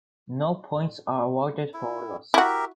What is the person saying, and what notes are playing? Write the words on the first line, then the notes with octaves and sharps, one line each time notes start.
No points are awarded for a loss.
E4
E4 F#4 G4 A#4 E5